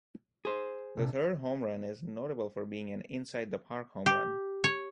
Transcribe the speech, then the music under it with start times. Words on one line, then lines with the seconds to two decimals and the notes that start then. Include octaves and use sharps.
The third home run is notable for being an inside-the-park home run.
0.45 G#4 C5
0.97 A#1 C3
4.06 G4
4.64 C#5